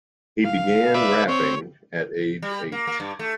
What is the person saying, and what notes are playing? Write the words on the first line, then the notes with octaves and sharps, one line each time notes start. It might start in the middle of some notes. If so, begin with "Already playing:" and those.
He began rapping at age eight.
F5
B4 D5 E5
C4 C#5
G3
A#3
A#3
G2
A3